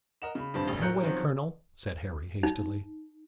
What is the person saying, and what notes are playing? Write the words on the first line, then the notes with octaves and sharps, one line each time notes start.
"Come away, colonel!" said Harry hastily.
A#4 D#5 F#5 E7
C#3 B5
D#1 G2 D3 C4 A5 B5
E1 A1
A2 F#3 A#4 F#6 G6 C#7
D#3 F3 F#3 C4 C#4
D#4